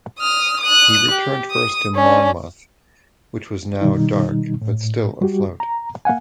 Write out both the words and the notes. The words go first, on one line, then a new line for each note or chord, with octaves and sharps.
He returned first to "Monmouth", which was now dark but still afloat.
D#6 F6
D#6 F#6
G4
D#6
C#4 D4
B2 D#3 G3 D#4
A2
G3 F#4 G4
A#5
A#3 F5 F#5 G#5